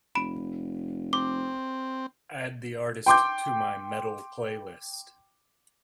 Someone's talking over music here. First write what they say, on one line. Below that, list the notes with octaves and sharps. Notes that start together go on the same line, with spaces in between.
Add the artist to my Metal playlist.
F1 B5 D7
C4 D6
G5 C6 D6 G6